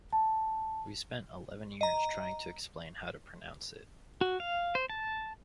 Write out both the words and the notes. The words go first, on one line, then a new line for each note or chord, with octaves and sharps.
We spent eleven years trying to explain how to pronounce it.
A5
D#5 A#5
F#4
F5
C5
A5